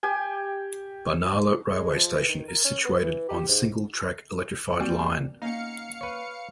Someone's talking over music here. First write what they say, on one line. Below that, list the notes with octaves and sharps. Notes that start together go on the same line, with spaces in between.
Barnala railway station is situated on single track electrified line.
G4 G5 G#5
G#3
F3
E3
D#3
A#4
C#4
B3
E3
G4
G#2
G3 A#3 C4 F#4 D5 G5 G#5
A#3 C#4 D#4 F5 F#5 C#7
B4 C#5